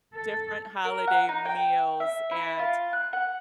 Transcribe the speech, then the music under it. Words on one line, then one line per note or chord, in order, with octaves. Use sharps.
different holiday meals, and
A4
A#4
F#5
D#4
G5
E5
E4
F4
F#6
F#5